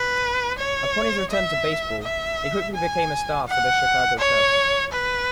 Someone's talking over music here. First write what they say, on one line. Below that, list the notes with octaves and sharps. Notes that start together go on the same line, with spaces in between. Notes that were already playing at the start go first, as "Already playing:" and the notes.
Upon his return to baseball he quickly became a star for the Chicago Cubs.
Already playing: B4
C#5
E5
E5
G#5
F#5
C#5
B4